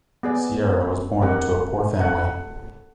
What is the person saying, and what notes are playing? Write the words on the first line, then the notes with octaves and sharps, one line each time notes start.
Sierra was born into a poor family.
B3 G#4 D5
C4 G4 A#4 F#5
A4 F#5